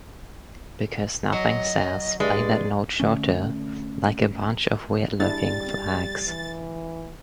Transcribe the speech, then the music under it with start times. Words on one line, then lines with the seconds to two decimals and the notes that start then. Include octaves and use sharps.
Because nothing says "play that note shorter" like a bunch of weird-looking flags.
1.32 F#3 D#5
2.20 G2 G#3 D5
3.00 D3 A3 C#4
5.20 G3 D4 E4 G#4 A6
6.28 E3